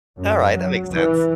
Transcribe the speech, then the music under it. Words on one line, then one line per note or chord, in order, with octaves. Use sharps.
All right, that makes sense.
F#2
F#3
E3